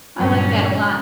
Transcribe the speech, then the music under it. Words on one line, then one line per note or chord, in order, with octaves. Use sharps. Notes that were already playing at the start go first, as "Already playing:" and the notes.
I like that a lot.
G2 A#2 D3 F#3 C#4